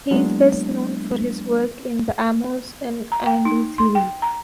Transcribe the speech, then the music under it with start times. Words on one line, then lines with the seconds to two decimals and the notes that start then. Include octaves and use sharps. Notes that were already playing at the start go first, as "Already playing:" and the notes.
He is best known for his work in the "Amos 'n' Andy" series.
0.11 F#3 G#3 A#3 B3 D4 E4
3.12 A#5
3.26 G5
3.45 D#4
3.78 C6
3.95 G5
4.22 A#5